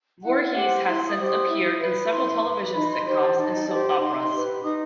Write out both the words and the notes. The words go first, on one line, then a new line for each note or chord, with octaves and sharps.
Voorhies has since appeared in several television sitcoms and soap operas.
E4 F#5
G4 F#5
C5
E4 C6
D#6
G4 C5
D#6
E4
B4
E4 C6
B4
D#4 B5
C6
G4 C5 C6
A5
D#4 A5
G4 C5
D#4 C6
G4 B4
D#4 D#6